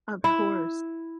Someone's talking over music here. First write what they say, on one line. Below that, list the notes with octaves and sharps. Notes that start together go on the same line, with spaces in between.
Of course.
E4